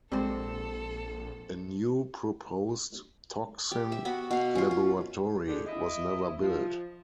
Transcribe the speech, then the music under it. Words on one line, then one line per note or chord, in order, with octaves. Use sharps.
A new proposed toxin laboratory was never built.
A#1 G#3 C4 G4 A4 C5 D5
G4
E5
B3 F#4 B5
B2 F5
C#4 F4
F4
E2 D3 G4 G#4
E4 D#5
F3